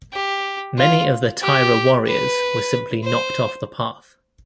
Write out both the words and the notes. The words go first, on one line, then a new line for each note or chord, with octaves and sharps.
Many of the Taira warriors were simply knocked off the path.
G4
F4
G4
B4
C5